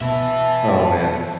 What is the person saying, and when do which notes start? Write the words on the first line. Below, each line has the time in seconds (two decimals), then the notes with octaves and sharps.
Oh, man.
0.01 B2 B4 E5 A5